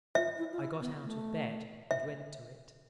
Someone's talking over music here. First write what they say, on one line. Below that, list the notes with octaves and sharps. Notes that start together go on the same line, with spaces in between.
I got out of bed and went to it.
F4 E5
E4
F4
E4
B3
A3
E5